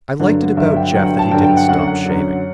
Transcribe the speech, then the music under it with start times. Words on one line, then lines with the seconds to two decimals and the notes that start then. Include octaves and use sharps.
I liked it about Jeff that he didn't stop shaving.
0.20 G2 D3 F#3
0.57 G2 D3 F#3 E5
0.76 G5
0.94 G2 D3 F#3 F#5
1.06 G5
1.19 A5
1.31 G2 D3 F#3 G5
1.44 G5
1.57 F#5
1.69 F#2 D3 F#3 F#5
1.87 F#5
2.06 F#2 D3 F#3